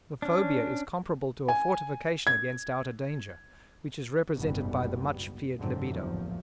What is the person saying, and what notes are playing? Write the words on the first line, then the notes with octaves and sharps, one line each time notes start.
The phobia is comparable to a fortification against outer danger, which is represented by the much feared libido.
C#4 D4
G#5
G#6
F#1 C2 G#2 B2 G3 B3
F#1 G#2 D3 F#3 C4
A#1 E2 A2 F3 F#3